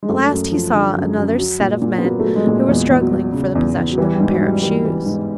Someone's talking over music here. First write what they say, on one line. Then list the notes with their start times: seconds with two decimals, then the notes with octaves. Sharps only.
At last he saw another set of men, who were struggling for the possession of a pair of shoes.
0.03 G#3
0.09 F#2 A3
0.31 F#2
0.52 F3
0.73 D3
0.96 F#2
1.17 F#2
1.38 F#3
1.61 A#2
1.82 A#2
1.98 B3
2.04 F#3 A#3
2.20 F#3 A3
2.36 G#3
2.47 A#2
2.52 A3
2.68 E2 G#3
2.90 E2
3.00 F#3
3.11 F#3
3.32 C#3
3.55 E2
3.76 E2
3.91 F#3
3.98 E3 G3
4.14 G3
4.20 G#2
4.30 F#3
4.41 G#2 G3
4.62 E3 G3
4.85 E3
5.06 G#2